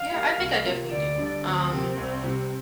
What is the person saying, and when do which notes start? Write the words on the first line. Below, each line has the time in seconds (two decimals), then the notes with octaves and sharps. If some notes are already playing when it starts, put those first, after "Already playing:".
Yeah, I think I definitely do, um,
Already playing: F5
0.11 A#3 G4
0.38 C2
0.64 C3 A#3 F4
0.91 D2 D5
1.18 D3 G3 D4
1.44 D2 C4
1.70 C3 A#3 G4
1.97 C2
2.24 C3 G3